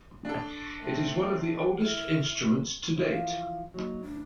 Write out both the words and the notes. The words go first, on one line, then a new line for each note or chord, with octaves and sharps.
It is one of the oldest instruments to date.
D4 A4
G#1 A3 C4
E4 F6
E3 F3 E4
F5
F#3 A#3 D#4
D2 D4